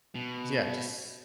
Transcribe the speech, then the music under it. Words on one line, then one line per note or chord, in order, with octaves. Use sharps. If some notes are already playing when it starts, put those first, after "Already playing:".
'Cause, yeah, just
B2